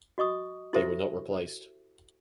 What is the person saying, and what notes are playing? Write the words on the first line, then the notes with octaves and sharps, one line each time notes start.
They were not replaced.
F#4 D#5 C#6 D#6
E4 F#4 G4 A4 C5 E5